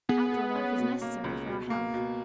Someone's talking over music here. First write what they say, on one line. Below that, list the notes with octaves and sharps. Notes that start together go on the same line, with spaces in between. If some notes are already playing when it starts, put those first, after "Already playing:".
Out-door life is necessary for our health.
B3 G#4
G#4
C#4
B2
A#3
C#2
B2
A#3
B2